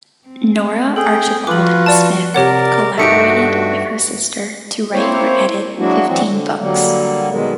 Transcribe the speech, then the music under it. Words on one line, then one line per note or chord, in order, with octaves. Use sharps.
Nora Archibald Smith collaborated with her sister to write or edit fifteen books.
C4
G#4 A4 G5
F3 F4 F#4 B4 D6 F#7
D5 A5
C3 G4 A#4 C#5 D5 F#5
G2 A3 D#4 F#4 G4 E5 C#7 D7
A#3 C4 E4 C5 C#5
F#3 G#3 A#3 D4 E4 F#4
E3 F#3 C4 D4 F#4
D3
D3 F#3 G3 A#3
B2 D#3 G#3